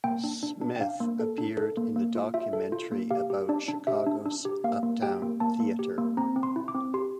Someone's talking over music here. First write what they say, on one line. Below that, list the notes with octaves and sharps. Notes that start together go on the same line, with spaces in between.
Smith appeared in the documentary about Chicago's Uptown Theatre.
A#3 G5
D4
D4
D4
G5
D4 F5
A#3
A4
D4
A4
A#3
A#3
F4
F4 E5
A4
F4
A#3
G4 F5
G4
D4 D5
D4
G4 E5
D4
D4
G4
A#3 F5
A#3
G4 G5
A#3
A#3 A5
A#3
G4
A#3
C4 A#5
C4
C6
E4
D6
C4
G4 C6